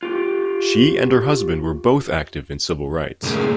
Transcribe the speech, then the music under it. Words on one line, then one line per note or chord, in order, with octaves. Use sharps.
She and her husband were both active in civil rights.
F4 G4
C#2 A2 A#3 G#4